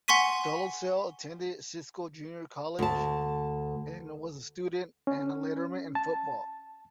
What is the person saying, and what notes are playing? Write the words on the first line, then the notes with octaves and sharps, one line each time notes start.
Dolezel attended Cisco Junior College and was a student and a letterman in football.
F#5 G#5 C6 C#6 B6 D#7
D2 A5
C#4
A5